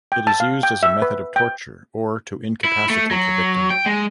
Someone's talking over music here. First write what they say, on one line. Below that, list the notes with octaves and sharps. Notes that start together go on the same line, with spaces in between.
It is used as a method of torture, or to incapacitate the victim.
G5
A5
F5
G5
E5
B4
G5
E4
A3
F#3
G5
G#3